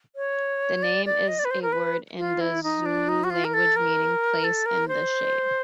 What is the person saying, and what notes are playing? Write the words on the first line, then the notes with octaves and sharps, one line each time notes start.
The name is a word in the Zulu language meaning place in the shade.
C#5
D5
D5
D#5
D5
B4
C5
A#4
B4
F4
E4
D#4
D4
D#4
F#4
F4
A#4
A4
A#4
A4
A#4
C5